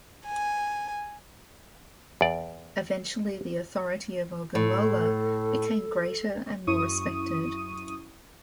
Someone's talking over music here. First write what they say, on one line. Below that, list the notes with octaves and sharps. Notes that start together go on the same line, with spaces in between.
Eventually the authority of Ogunlola became greater and more respected.
G#5
E2 D5
A2 A4
F#2 E4 C#6 D#6 D#7